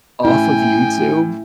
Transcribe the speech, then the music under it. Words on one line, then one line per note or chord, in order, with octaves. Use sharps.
off of YouTube,
A2 C#4 E4 G5 G#5